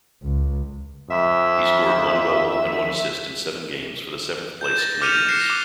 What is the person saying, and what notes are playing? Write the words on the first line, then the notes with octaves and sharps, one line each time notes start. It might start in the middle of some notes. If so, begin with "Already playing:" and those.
He scored one goal and one assist in seven games for the seventh-place Canadians.
C#2
F2 E5
G6 E7
A6 A#6
D6 F6 G6 C#7 D#7 F7
F#6 A#6 C7 C#7 E7
D6 G7